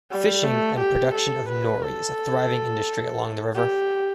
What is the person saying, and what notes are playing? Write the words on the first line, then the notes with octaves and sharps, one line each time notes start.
Fishing and production of nori is a thriving industry along the river.
G3
A3
G4
A4
B4
A4
G4